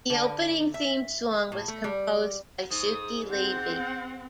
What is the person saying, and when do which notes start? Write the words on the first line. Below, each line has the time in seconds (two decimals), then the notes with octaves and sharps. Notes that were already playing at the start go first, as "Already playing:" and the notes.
The opening theme song was composed by Shuki Levy.
0.10 D3
0.74 E5
1.52 A2
1.68 A3
1.84 G3
2.70 G#2 D#6
3.31 C4 F#5 G6